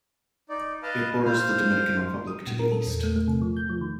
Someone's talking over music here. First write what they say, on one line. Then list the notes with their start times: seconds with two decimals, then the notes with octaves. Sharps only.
It borders the Dominican Republic to the east.
0.49 D#4 D5
0.83 B4 D#5 F5 A5
1.25 C5 F5
2.27 D#6
2.47 A#2
2.59 A#4
2.72 A4
2.86 E2
3.03 A3
3.16 A3
3.28 C3
3.42 F3
3.57 G6
3.70 F3
3.81 D#3